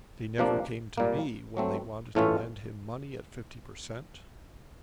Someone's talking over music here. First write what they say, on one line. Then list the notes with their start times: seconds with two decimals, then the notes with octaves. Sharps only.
They never came to me when they wanted to lend him money at fifty per cent.
0.38 C3 F3 A#3 D4
0.98 A#2 G3 A#3
1.57 F#3 A3 C4
2.15 A2 E3 A3 C#4 F4